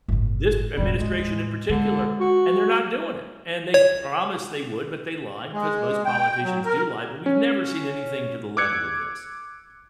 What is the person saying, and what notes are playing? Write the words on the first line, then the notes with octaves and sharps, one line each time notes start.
this administration in particular, and they're not doing it, and they promised they would, but they lied, 'cause most politicians do lie, but we've never seen anything to the level of this.
G1 A2
E1 A1 G3
D#2 A2 G#3
D3 G#3
F#4
C#5
G#3
G5
F#3
A#4
C#4
D6 E6 F#6 G#6 C#7